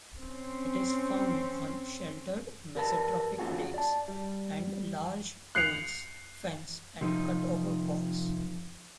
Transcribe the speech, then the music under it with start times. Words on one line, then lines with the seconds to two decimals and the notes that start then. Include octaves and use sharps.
It is found on sheltered mesotrophic lakes and large pools, fens and cutover bogs.
0.20 C4 C#4
2.76 G4 A#4 B4 D5 A5
3.39 F3 A#3 C#4 F4 F#4 G#4
3.74 D5 A5
4.08 G3
5.55 F#6 C7 C#7 F7
7.01 C3 F3 D#4